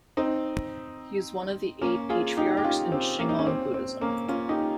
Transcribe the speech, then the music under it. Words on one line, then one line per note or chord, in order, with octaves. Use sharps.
He is one of the eight patriarchs in Shingon Buddhism.
C4 D#4
A#3 C#4
F4 G#4
D#4 G4
G4
C#4 F4
C4
A#3 C#4
D#4
C#4
C4
C4
A#3 C#4
C#4 F4
D#4 G4